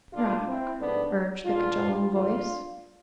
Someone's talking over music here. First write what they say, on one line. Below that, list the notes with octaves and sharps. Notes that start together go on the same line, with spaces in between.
"Rock..." urged the cajoling voice.
B1 B2 A3 D4 F4
C4 E4
G#2 F3 A3 B3 D4
B1 B2 G#3 D4 F4
G#1 G#2 F3 A3 D4 F4